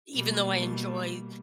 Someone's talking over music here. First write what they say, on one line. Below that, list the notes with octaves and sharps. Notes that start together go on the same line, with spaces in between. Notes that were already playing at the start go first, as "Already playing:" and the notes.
even though I enjoy
B2 G3 A#3